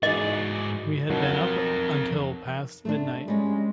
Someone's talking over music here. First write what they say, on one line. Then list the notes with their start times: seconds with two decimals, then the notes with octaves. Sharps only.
We had been up until past midnight.
0.03 G#2 E3 D#4 F#4 G#4 D5 D#5
1.10 B1 F2 F#3 F4 F#4 A#4
2.85 A3 C4 D4
3.28 G3 G#3 C#4